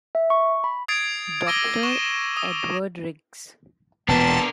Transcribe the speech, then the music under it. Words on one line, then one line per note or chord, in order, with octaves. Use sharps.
Doctor Edward Riggs.
E5
C#6
B5
D#6 G#6 A6 C7 D7
D6 E6 A#6 D#7 G7
C#6 E7
D#6
E1 A#2 B3 D4 A#4 A5